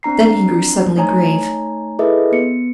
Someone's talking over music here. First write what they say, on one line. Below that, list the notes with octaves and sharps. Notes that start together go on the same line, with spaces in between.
Then he grew suddenly grave.
C4 D4 A#5 C7
A3 D#4 C#5 G#5 A#5
E4 G#4 A4 B4 D#5 E5
B3 C#7